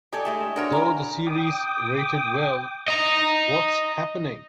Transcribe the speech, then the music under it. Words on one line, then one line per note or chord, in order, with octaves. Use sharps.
Though the series rated well, What's Happening!!
G4 A4 D5 D#5 G#5
G#3 A3 E4 G4
D3 F#4 A#4 C#5
E3 A#4 A#5
G5 D6 D#6
D#5 A#5